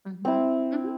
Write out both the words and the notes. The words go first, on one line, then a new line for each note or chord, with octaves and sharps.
Mhm. Mhm.
C4 E4